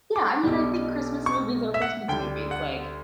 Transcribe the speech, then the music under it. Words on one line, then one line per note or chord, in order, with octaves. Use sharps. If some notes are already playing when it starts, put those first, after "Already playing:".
yeah, I mean, I think Christmas movies are Christmas movies. Like,
D6
B1 B2 G3
C#6
E5
F#5
D2 D3 G3 G5
F#5